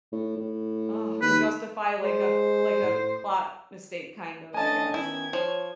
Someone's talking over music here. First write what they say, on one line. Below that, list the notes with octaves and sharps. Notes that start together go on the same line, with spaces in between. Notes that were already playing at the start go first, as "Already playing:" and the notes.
uh, and justify like a like a plot mistake kind of, I guess.
A2
A2
D#2 B4
G#3 C5
A2
A3 C#4 D4 D#5 G#5 A5 A6
D#3 B3 C#4 E4 G#6
F3 C#5